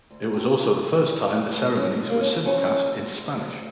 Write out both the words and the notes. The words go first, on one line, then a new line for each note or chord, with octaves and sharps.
It was also the first time the ceremonies were simulcast in Spanish.
D2
A2
A2
E3
G3
A2
A2
D2 C#4
D2
A#3
D3 C#4
A#3
F3 C#4
D2
D2
D2
D2